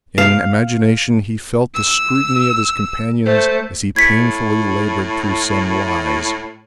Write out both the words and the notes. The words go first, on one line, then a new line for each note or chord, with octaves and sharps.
In imagination he felt the scrutiny of his companions as he painfully labored through some lies.
F5
E6
A3 C5
A2 G#6 B6 C#7